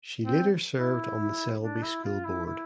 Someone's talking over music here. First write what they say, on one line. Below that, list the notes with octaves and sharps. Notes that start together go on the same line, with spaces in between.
She later served on the Selby School Board.
C4
E4
D4
E4
F4
E4
E4